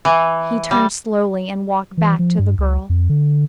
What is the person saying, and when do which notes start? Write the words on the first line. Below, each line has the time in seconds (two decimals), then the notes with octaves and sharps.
He turned slowly and walked back to the girl.
0.05 E3
0.71 G3
1.97 E3
2.19 F3
2.39 G2
2.58 C#2
2.89 F2
3.09 D3